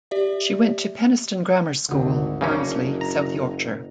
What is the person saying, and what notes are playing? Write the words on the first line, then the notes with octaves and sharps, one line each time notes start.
She went to Penistone Grammar School, Barnsley, South Yorkshire.
G4 D5 E5
G#1 D2 D3
F#1 C#3 A#3 C#4 D4
A#5